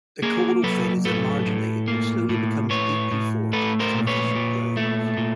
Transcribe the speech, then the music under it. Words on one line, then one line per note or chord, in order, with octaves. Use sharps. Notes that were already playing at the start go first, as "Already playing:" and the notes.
The caudal fin is emarginate but slowly becomes deeply forked as the fish grows.
A#3 G#4 A#4
F#3 A4 B4
A2 A4 B4
A2
A#3
A2
A2 B4 C#5
A2
A3 A4 B4
A#4 C5
A#2
B4 C#5
A#2
A3
A#2